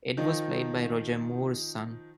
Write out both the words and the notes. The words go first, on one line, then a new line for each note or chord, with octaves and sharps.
Ed was played by Roger Moore's son.
D#3 F3 D#4